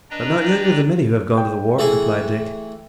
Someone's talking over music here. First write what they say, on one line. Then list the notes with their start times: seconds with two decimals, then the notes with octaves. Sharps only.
"But not younger than many who have gone to the war," replied Dick.
0.11 D4 B4 D5 D#5 G5 A#5
1.38 G5
1.79 E3 A3 G#4